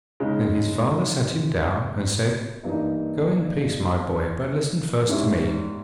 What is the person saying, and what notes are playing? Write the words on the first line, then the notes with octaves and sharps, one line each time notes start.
Then his father sat him down and said, 'Go in peace, my boy, but listen first to me.
C#3 G#3 D#4
G2 E3 A#3 D#4
G#2 G3 C#4 E4